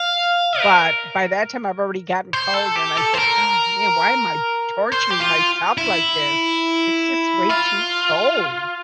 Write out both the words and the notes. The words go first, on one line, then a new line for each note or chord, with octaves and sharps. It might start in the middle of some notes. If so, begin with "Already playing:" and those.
But by that time, I've already gotten cold and I think, "Oh, man. Why am I torturing myself like this? It's just way too cold."
Already playing: F5
A#4
C5
A4
G4
A4
C5
A#4
C5
G4
F4
E4
F4